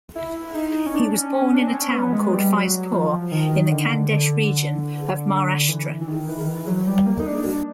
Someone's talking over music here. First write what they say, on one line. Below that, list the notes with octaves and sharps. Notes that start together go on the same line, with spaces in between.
He was born in a town called Faizpur in the Khandesh region of Maharashtra.
E4
D#4
C#4
D4
C#4
C#4
D4
C4
C#4
B3
G#3
G3
F#3
F3
D#3
D3
D3
E3
E3
D#3
E3
D#3
E3
F#3
G3
A#3
D#4
D4